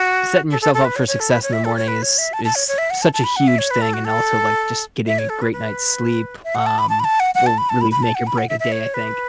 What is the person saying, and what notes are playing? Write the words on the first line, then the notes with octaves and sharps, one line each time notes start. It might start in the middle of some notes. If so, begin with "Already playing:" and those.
setting yourself up for success in the morning is is such a huge thing and also, like, just getting a great night's sleep, um, will really make or break a day, I think.
Already playing: F#4
A4
A4
A4
B4
C#5
C#5
A4
B4
C#5
E5
A4
C#5
B4
C#5
E5
A5
A5
C#5
C#5
E5
F#5
A5
A5
B5
F#5
E5
C#5
B4
A4
F#4
A4
E5
C#5
A4
B4
B4
E5
F#5
A5
B5
A5
B5
A5
F#5
F#5
A5
B5
A5
B5
B5
A5
F#5
B5
F#5
E5
E5
C#5
B4